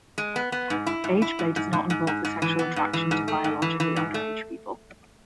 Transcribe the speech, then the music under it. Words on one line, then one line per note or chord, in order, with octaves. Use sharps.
Ageplay does not involve the sexual attraction to biologically underage people.
G#3
B3
B3
G#2
E4
G#2
E4
G#2
G#2
G#2
G#2
G#2
G#2
E3
B3
G#2
E3
G#2
A3
G#2
E3
E3
G#2
A3